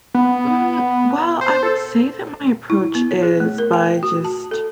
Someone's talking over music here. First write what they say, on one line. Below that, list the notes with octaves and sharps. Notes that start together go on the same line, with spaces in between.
Mm, well, I would say that my approach is by just
B3
C5
A4
E4
B3
C#5
G#4
A3
A#4
G5
F#4
A5
A4